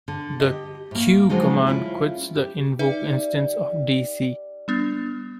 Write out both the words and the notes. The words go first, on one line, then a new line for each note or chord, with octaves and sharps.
The 'q' command quits the invoked instance of dc.
D3
G4 D#5
A2 A#3
D3 F3 F#3 G#3 D#4
C#4 E4 F4
G4
G3 D#4 B4 E5
G3 B3 D4